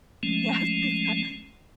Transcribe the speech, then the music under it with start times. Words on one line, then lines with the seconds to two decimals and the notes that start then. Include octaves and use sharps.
Yes, exact
0.23 F3 G#3 A3 C#4